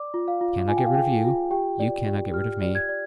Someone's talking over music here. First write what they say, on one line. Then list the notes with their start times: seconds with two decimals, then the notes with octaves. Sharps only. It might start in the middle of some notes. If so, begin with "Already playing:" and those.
I cannot get rid of you; you cannot get rid of me.
Already playing: D5 D6
0.14 F4
0.28 F5
0.41 F4
0.68 F4 G#5
0.77 G5
0.86 F5
0.95 G#4 G5
1.24 F4
1.51 G4 G5
1.79 D5
2.06 G4
2.33 G4 F6
2.62 D5
2.75 G#6
2.89 D5